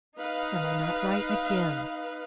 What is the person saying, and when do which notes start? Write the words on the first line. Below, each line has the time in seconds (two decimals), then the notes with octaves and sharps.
Am I not right again?
0.18 D#4 B4 F5